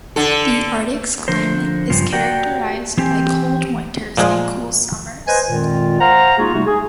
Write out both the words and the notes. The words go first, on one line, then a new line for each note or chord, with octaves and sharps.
The Arctic's climate is characterized by cold winters and cool summers.
D3 A4
D3 F3 A#4 C5
G2 C#3 F3
F#4 G4 A#4 D5 F#5 G5
E3 C4 G4 G#5
A#2 F3 G#3
B4 C5 D#5 G#5
F2 A#2 D#3 G#3 F4
C5 F5 F#5 A#5
G#3 A#3 D#4 F4 F#4 G#4
C3 G3 A3 D#4 F#4
G#4